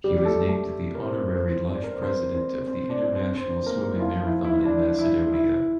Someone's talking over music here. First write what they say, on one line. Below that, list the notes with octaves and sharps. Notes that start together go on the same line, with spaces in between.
He was named the Honorary Life President of the International Swimming Marathon in Macedonia.
G3 G4
G4
A3 A4
A3 A4
A#4
C4 C5
C4 C5
D5
C5
A#4
C4 C5
C4 C5
C4 C5
C4 C5
D4 D5
C4 C5
C4 C5
A#3 A#4
E4
F3 F4
E4
E4
E4
D4
E4
E4